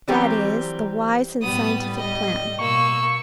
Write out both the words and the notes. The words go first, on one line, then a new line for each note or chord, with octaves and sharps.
That is the wise and scientific plan.
E3 F#3 G3 C4 G4 A#4
A2 G3 B3 D#6
D#5
B2 A#3 C#6 E6